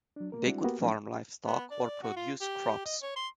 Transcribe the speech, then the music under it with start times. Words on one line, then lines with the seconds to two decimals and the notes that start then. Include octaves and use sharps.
They could farm livestock or produce crops.
0.16 F#3 D4
0.32 A#3 A#4
0.46 G3 G#3 C4 D4 E4 F#4
0.64 A#3 B3 F#4 G4 A#4
0.81 F3 F#3 A3 C#4 D#4
1.47 B3
1.71 D5
2.03 F#4
2.16 F4
2.41 G4
2.86 D#5
3.02 C#5
3.16 C6